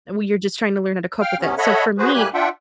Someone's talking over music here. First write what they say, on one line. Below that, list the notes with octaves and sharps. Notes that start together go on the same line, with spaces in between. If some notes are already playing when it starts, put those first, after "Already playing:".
and when you're just trying to learn how to cope with it, so for me,
F5 G5 F6
C3 B3 C#4
A4 C#5 D#5 E5 F#5 B5
F#4 G#4 B4 C5
A2 G3 A#3 G4 G#5 F#6
D4 F4 E5 F#5 G5